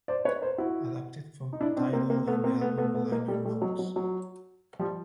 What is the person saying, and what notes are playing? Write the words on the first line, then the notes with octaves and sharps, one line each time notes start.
Adapted from Tidal and the album liner notes.
C5 D5
B4 C#5
A#4 C5
E4 F#4
D#4
D4 E4
C4 D4
A#3 C4
A#3 C4
A3 B3
A#3 C4
A3 B3
A3 B3
A3 B3
G#3 A#3
G3 A3
G3 A3
F#3 G#3
F#3
F#3
F3 G3